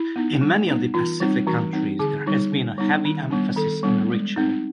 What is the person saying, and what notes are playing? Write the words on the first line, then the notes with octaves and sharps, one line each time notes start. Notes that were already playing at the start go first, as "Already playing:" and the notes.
In many of the Pacific countries, there has been a heavy emphasis on ritual.
Already playing: E4
B3 D#4
G3
B3 D#4
E3 F4
G3 C4 D#4
E3 F#4
G3 C4 D#4
D3 G#4
G3 B3 D#4
D3
G3 B3 D#4
D#3
G3 B3 D4
D#3 A4
G3 B3 D4
G#3
C4 D#4